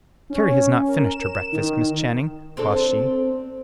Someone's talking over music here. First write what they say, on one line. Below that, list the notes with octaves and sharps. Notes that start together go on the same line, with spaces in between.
"Carry has not finished her breakfast, Miss Channing," quoth she.
C#4
A#4
E7
D#3
C4 D4 A4